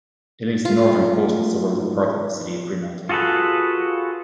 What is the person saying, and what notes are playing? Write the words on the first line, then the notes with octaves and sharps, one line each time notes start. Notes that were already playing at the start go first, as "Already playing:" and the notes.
It links the northern coastal suburbs of Perth with the city of Fremantle.
F4
A3
G#2
F4 F#4 G#4 A4 B4